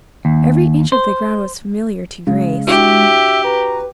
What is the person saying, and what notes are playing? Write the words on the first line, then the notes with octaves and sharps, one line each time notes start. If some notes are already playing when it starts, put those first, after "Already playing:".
Every inch of the ground was familiar to Grace.
D#2
C5
C#3 G#3
D4 E4 F#4 G4 E5
B4 A#5